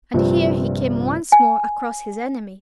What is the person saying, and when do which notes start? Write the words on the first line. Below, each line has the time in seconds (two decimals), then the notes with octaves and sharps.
And here he came once more across his enemy.
0.14 A#1 G2 C3 F3
1.32 G#5